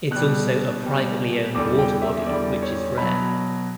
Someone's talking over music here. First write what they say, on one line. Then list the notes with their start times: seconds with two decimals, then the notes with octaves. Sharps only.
It's also a privately owned water body which is rare.
0.11 B2 G3 F#6
0.84 B2 G3
1.55 E2 D3 G3 D6
1.79 G5
2.02 E5
2.17 E5
2.26 E2 D3 G3 D5
2.62 C#5
2.98 B2 F#3 B5